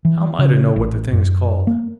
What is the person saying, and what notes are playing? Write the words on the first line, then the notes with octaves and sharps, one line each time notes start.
'How am I to know what the thing's called?
E3
C#3
A1
F#2
A#3